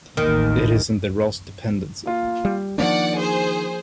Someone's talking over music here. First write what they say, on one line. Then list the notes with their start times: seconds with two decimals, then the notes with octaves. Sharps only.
It is in the Ross Dependency.
0.17 A1 D#2 D#3
2.06 A#3 F4
2.45 G3
2.78 D#3 F3 A#3 D4 D5 F#5
3.17 G#4 C5